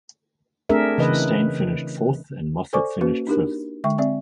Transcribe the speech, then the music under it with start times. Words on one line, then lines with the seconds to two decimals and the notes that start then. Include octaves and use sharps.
Chastain finished fourth and Moffitt finished fifth.
0.69 A3 C4 D4 G#4 A#4 E5
0.98 C#3 E3 B4 D#5
2.73 A4 C5 D5 G#5 C#6 D6
3.01 A#3 C#4 F#4 B4
3.27 D4 D#4 G4 A#4
3.84 D3 G#3 E5 G5 C#6
3.98 C4 D5 E5